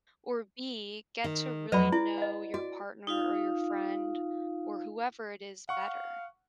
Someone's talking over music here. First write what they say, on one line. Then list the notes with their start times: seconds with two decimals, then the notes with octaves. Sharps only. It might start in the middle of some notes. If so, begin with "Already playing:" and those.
or, B, get to really know your partner, or your friend, or whoever it is, better,
1.24 D#3
1.72 F2 F#3 B4 D5 D#5 B5
1.92 E4 D5
2.18 D#5 F#5
2.54 F#4 D5
3.07 D#4 F4 F5
5.69 F5 F#5 C#6